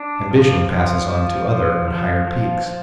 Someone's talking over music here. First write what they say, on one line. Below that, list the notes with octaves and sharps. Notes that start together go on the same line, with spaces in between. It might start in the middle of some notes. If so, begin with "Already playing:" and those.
Ambition passes on to other and higher peaks.
Already playing: D4
F3
F3
F3
F3
F3
F3
F3